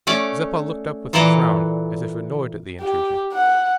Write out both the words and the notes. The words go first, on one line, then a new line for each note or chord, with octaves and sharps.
Zeppa looked up with a frown, as if annoyed at the intrusion.
A3 C#4 D5
A#2 E3 A4 D5 F#5 A#5
G4
F#5